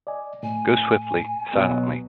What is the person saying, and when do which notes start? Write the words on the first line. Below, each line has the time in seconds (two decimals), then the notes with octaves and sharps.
Go swiftly, silently.
0.07 D5 D#5 G#5
0.43 A2 G#5
1.54 C#2 B2 F#3